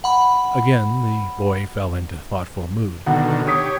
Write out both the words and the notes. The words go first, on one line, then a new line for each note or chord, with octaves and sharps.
Again the boy fell into a thoughtful mood.
F#5 B5
B2 D3 D#3 F#5
G4 C#5 D#6 B6